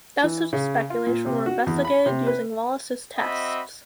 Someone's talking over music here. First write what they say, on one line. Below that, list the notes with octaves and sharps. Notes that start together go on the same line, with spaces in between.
Doubts of this speculation were investigated using Wallice's tests.
E3
C#3
F4
A#2
C3
F#4
E2
B5
C3
B4
C4 F#4 D#5 E5 B5